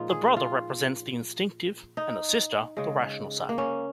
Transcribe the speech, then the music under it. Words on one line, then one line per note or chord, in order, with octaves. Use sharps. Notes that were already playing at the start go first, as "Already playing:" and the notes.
The brother represents the instinctive and the sister the rational side.
Already playing: A#2 F3 G#3 D#4 F4
G#4
F4
D#4
C#3 G#3
A#3
C#4